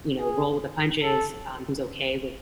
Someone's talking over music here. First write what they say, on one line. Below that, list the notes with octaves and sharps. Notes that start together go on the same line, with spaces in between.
you know, roll with the punches, um, who's okay with,
G#4
A4